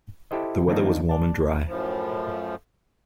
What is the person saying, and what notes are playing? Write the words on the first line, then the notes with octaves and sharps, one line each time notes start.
The weather was warm and dry.
E4 G4 A4 C5 D#5
D#3 F3 A#3 C4 D4 D#4
D5 A5
F#2 A2 F3